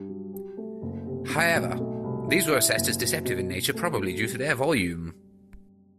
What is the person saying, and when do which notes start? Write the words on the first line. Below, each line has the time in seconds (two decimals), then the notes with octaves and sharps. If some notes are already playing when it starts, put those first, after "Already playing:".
However, these were assessed as deceptive in nature probably due to their volume.
Already playing: G2
0.09 F#3
0.33 G4
0.57 A3
0.82 F#1
1.06 C3
1.30 A2
1.55 B1
1.79 A3
2.04 C2
2.28 E4
2.52 E4
2.77 F#1
3.01 F#3
3.25 B2
3.50 B2
3.74 A3
3.98 F#3
4.22 G3